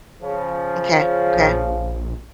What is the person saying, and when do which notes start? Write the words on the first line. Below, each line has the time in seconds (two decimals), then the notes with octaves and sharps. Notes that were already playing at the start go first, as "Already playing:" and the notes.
Okay. Okay.
0.22 C#3 F3
1.35 A#1